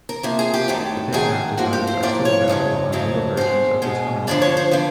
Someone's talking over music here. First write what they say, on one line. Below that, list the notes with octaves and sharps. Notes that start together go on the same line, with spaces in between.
The bitmap designs are still available on newer versions of the Terminal app.
A#4
C3 F3 A#3
G#4
G4
F#2 D#3 F#3 A3
F#2 D#3 F#3 A3 G#4
A2 F3 A#3 F#4
G4
C5
A2 F3 A#3 D5
C#5
F2 C#3 F#3 A3
F2 C#3 F#3 A3
B2 G#3 C5
B2 G#3
F#2 D3 F3 D5
C#5
C5
D3 F3 B4